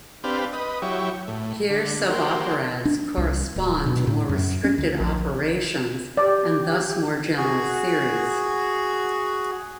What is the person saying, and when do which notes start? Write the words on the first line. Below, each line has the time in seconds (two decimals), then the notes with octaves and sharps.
Here suboperads correspond to more restricted operations and thus more general theories.
0.24 C4 D4 G4 B4 F5
0.53 B4 D#5
0.82 F#3 E4 G4 C#5
1.28 A2
1.70 D3
2.10 A#3 F#4 G4 C5
2.85 D4
3.17 C2
3.56 D1
3.86 B2
4.07 A2
4.29 F#2
4.64 C#4
4.78 D2
5.00 A#1
6.17 G4 D5
7.37 F#4 G#4